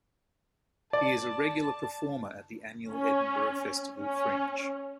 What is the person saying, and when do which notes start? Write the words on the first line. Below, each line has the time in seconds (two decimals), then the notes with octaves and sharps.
He is a regular performer at the annual Edinburgh Festival Fringe.
0.93 D5 A5
2.91 C#4
3.98 C#4